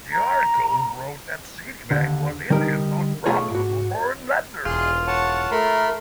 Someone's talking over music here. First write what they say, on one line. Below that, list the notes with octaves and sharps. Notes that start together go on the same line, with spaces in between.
The articles wrote that Citibank was "India's most profitable foreign lender".
A#5
D#2 D3
D3 G3 D#4 A#4 A#5
B1 A3 F4 G#4 C#5
G#2 F#4
E1 F4 G#4 C6
C#5 F#5 A5
A3 A#4 B5 C6